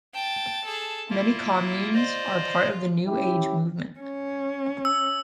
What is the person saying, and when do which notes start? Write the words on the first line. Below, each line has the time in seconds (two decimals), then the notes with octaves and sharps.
Many communes are part of the New Age movement.
0.14 G5 A5 A6
0.65 G#4 A4
1.10 A#3 E4 F4
1.94 F4 C5 D5 D#5
3.07 C#4 E4 G4
4.00 C#4
4.85 E6